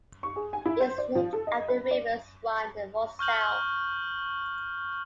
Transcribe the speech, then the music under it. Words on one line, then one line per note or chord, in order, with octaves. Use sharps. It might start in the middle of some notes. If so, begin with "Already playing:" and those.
It was named after the rivers Rhine and Moselle.
C#6
G#4
G#5
E4
C5
D5
F3
A4
D#5
B4
D5
C#6 F6 G6 F#7